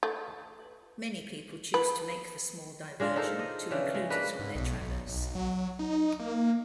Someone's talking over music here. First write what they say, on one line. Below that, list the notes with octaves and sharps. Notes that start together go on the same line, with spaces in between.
Many people choose to make the small diversion to include it on their traverse.
A3
B4
G#3 D4 F4 G#4
D#4 A4 A#4 C5
D#5
C#3 E3 D4
G#3
A#3 D4 B4 D#5
G#2
B1
B1
B1
F#3
D#4
A#3